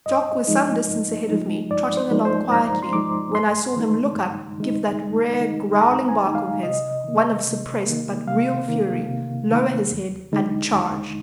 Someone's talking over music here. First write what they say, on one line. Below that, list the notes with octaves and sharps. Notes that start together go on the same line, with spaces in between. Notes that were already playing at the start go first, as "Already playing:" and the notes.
Jock was some distance ahead of me, trotting along quietly, when I saw him look up, give that rare growling bark of his--one of suppressed but real fury--lower his head, and charge.
G2 D#5
F3 G#3 D#4
G2
F3 G#3 D#4
G2 D5
C5
F3 G#3 D#4
C5
G2 A#5
C6
F3 G#3 D#4 D6
G2 C6
D#3 G#3 D#4
G2
D#3 G#3 D#4
G2
D#3 G#3 D#4
G2 A#5
G#5
D#3 G#3 D#4
F5
C3 D#5
D#3 A#3
C3
D#3 A#3
C3 F5
D#3 A#3
C3
D#3 A#3
D#2
D3 G#3 D#4
D#2